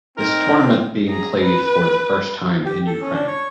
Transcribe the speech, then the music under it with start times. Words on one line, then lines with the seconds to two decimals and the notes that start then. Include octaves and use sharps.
This tournament being played for the first time in Ukraine.
0.18 C4 D#4 A#4
1.08 G#4 A#5
1.42 B4
2.65 G4
2.87 A4
3.01 C#4
3.13 D4
3.27 C#5